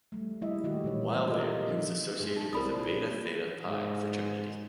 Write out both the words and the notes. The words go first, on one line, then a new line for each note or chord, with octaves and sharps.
While there, he was associated with the Beta Theta Pi fraternity.
G3 A3
G3 G#3 A#3 E4 D#5 E5
D#3 G3 A3 A#3 F#4 G4
A#2 D#3 E3 A#3 D#4 C#5
F4 G4 A4 A#4 D#5 E5
D3 F3 G3 C4 D#4
G2 G#3
G#3 A5
C2 D4 A#4 C5 D5 B5 D#6
A#2
G#2